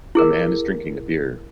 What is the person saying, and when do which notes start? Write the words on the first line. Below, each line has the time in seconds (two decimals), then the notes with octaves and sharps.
A man is drinking a beer.
0.15 E4 G#4 A#4